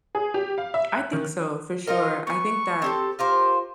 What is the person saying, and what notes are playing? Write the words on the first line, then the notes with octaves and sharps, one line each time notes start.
I think so for sure, I think that
G#4
G4
F5
E5
F#6
D#3
D#4 F4 A#4 D#5
B3 G#5 C#6
C4 G4 A4
F4 G4 A#4 C5